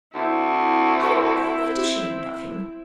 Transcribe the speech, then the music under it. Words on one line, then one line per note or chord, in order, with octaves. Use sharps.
I am quite ashamed of him.
D2 C4 E4